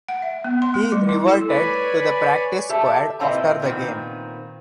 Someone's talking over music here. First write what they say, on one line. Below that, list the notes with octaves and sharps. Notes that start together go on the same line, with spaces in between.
He reverted to the practice squad after the game.
F#5
E5
B3
C6
A3
G3
E4
A4
B4 C#5 D5 G#5 B5
G4 A4 E5 A5
A#2 C4 E4 B4 D#5 G5
A#2 D#3 B3 C4